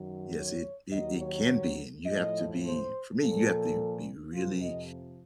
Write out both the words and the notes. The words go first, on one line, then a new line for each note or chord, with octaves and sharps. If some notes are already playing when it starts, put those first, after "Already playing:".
Yes, it it it can be, and you have to be for me, you have to be really,
Already playing: F#2 D#3 F#3
C#5
D#2 D#3 F#3 D#5
C#5
A2 F3 D#5
C5
A#2 F3 A4
F2 C3 F3 F4
D#5